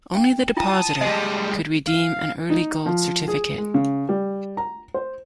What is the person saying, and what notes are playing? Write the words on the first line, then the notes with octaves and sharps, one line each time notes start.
Only the depositor could redeem an early gold certificate.
G5
E4 F4 G5 A5 D#6
G3 G#3 D#5
F5
D#4
F3
G#4
G#3
C#3
G3
A#5
C5